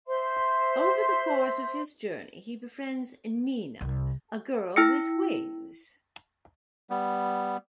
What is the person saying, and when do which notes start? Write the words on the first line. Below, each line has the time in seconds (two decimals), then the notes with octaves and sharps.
Over the course of his journey, he befriends Nina, a girl with wings.
0.07 C5 E5 C6
3.81 C2
4.76 E4 G5 E6 A#6 C#7
6.90 G3 B3